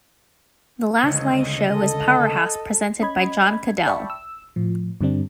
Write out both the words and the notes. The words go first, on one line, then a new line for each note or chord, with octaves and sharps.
The last live show was Power House presented by John Caddell.
D2 C#3 D#5
A4
C#4 D#5 B5 G#6
D5 E5 G5 A5 B5 C#6
E6
A2 F3
G2 D3 G3 C4 D4